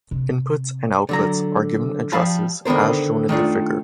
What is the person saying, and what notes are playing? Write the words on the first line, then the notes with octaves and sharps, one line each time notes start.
Inputs and outputs are given addresses as shown in the figure.
C3
D3 F#3 A#5
F3 G3 F5 A5 B5
D3 D#3 B3 A#4 C5
D#3 A3 D4 F4